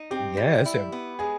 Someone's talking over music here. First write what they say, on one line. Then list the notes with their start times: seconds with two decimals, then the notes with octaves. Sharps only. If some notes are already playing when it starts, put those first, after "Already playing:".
Yes, and
Already playing: D#4
0.11 C4 G4
0.37 G3
0.65 E4
0.92 B3
1.19 G#3 G#4